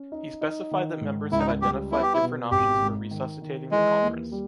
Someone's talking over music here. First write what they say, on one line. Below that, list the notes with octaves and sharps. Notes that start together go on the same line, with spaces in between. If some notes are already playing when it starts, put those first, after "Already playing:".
He specified that members had identified different options for resuscitating the Conference.
Already playing: C#4
D#4
D#4
D#3
G#2
C#2 E4
D#4
E4
G3 G4
B3 E4
G4
E4
B2
G#1 G4
G#2
D#3
D#3
E3 G#3
D#2
G3